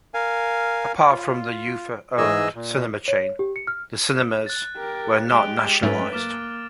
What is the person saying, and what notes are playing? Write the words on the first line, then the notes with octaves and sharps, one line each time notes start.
Apart from the Ufa-owned cinema chain, the cinemas were not nationalized.
A#4 F5 G#5
F4
G#2 E3 G#4 D#5 G#5 E6
A#2
C#5
G4
C#7
F6
F#6 A6
G4 A#4
G#3 G4 D7 F7 G7
G#2 F#3 A3 C#4 B4 A6 F7
A#3 D6 F6 A6